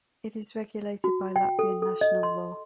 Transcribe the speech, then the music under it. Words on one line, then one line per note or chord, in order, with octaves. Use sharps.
It is regulated by Latvian national law.
F#4
G5
A4
A4
D#5
C6